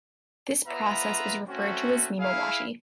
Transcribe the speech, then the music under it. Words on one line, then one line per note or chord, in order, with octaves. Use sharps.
This process is referred to as "nemawashi".
B3 F4 B4 E5 A#5
A3 C4 C#4 F#4
E4 G#4 F5